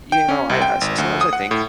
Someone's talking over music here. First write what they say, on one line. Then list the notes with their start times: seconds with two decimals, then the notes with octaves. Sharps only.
You know, I I s sometimes I think
0.12 G5
0.29 C#4
0.49 C2
0.62 G5
0.81 G#1
0.98 D2
1.21 D#6
1.33 F#5
1.51 A2